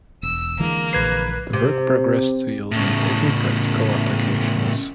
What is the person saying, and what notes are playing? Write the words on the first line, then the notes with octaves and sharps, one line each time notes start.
The work progressed to yield important practical applications.
E1 E6
D3 E3 G#3 A#3
A#1 B4 G#6 C7
C3
A2 C#3